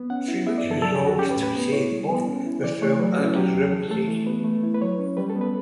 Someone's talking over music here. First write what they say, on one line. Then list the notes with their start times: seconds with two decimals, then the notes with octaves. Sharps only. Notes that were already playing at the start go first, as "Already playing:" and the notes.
Felix resolves to save both the film and his reputation.
Already playing: B3
0.10 C#4 F#5
0.28 E4
0.46 B3 E5
0.58 D5
0.64 G2
0.71 A4
0.82 F#3 A4
0.95 G4
1.00 E2
1.07 F#4
1.19 C#4 G4
1.31 B4
1.37 A2
1.43 B4
1.55 B3
1.73 E4 C#5
1.91 G3
2.10 B3
2.27 C#4
2.46 E4
2.64 E3 D5
2.82 A3 C#5
2.99 F#3 B4
3.13 F#4
3.18 C#4
3.24 E4
3.36 F#3 G4
3.54 E2
3.72 E3 A4
3.91 A3 A4
4.08 E3
4.26 B3 B4
4.44 A3
4.63 E4
4.74 B4
4.82 F#3 C#5
4.99 C#4
5.17 G3 B4
5.30 A4
5.36 B3
5.41 B4